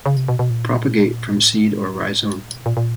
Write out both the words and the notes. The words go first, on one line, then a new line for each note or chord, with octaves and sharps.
Propagate from seed or rhizome.
C#3
C3
B2
B2
A#2
A2
G#2
A2
A#2
B2
A#2
A#2